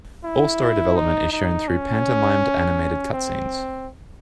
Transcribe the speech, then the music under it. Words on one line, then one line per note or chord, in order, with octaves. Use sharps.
All story development is shown through pantomimed animated cutscenes.
E4
D#4
D#4
C#4
C4